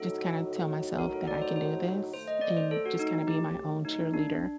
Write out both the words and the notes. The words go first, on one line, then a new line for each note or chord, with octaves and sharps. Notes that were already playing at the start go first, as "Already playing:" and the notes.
just kinda tell myself that I can do this and just kinda be my own cheerleader.
Already playing: A2 F#3 A3 D#4 F#4 A4
A#4
A4
D5
C5
C5
F#2 D#3 A3 C5
D#5
D5
C5
A4
F#4
D#4
G4
D#4
D4